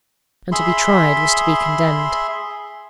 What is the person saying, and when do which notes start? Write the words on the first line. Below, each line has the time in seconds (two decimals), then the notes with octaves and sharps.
And to be tried was to be condemned.
0.52 G#4 E5 B5 C6